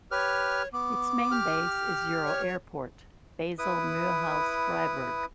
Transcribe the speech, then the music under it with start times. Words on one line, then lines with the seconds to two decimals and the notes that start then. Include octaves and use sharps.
Its main base is EuroAirport Basel-Mulhouse-Freiburg.
0.11 G4 B4 C#5 F6
0.73 B3 D6
1.31 G4 F6
2.25 C#5
3.59 E4 B4 D#6